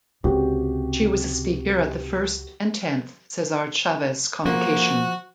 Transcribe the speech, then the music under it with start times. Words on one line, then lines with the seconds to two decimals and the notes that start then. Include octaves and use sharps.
She was a speaker at the first and tenth Cesar Chavez Convocation.
0.24 C#2 C3 F#4 G4
4.45 F3 A#3 F#4